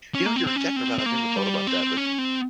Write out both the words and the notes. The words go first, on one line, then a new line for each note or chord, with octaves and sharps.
You know, you're exactly right, I've never thought about that, but
C#4
A#3
C4
C4
C#4
C4
C4
A#3
G3
C4
C#4
C4